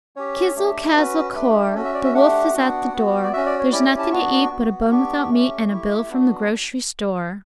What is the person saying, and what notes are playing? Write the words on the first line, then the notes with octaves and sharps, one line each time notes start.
"Kizzle-kazzle-kore; The wolf is at the door, There's nothing to eat but a bone without meat, And a bill from the grocery store."
C#4 G4 C#5
A3 D4 G4
C#4 F#4 B4
A3 D4 G4
C#4 F#4 A4
E5
D5
E5
A3 D4 G4 F#5
B3 D4 F#4
B3 F#4
D5
C#4 F#4 E5
D5
C#5
C#4 E4 G4 D5
D5
A5
B3 D4 F#4 C#6
B3 F#4
B3 D4 G4 C#6
A3 C#4 G4
A3 E4 G4
B3 D4 F#4